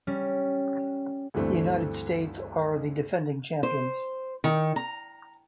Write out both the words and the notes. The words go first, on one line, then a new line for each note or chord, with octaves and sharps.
The United States are the defending champions.
G3 C#4
D2 G2 E3 A3 C4
C5
D#3
A#5